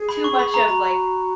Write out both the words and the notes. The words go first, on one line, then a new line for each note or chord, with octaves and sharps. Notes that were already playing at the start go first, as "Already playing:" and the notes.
too much of, like,
Already playing: G#4
B5
C#6
B5
A#5
F#4 A#5